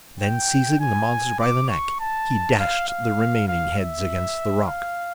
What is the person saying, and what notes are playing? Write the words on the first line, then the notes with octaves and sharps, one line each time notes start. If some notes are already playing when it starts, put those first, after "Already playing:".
Then, seizing the monster by the neck, he dashed the remaining heads against the rock.
G5
G#5
D6
C#6
A5
F5
F5
F5
E5
F5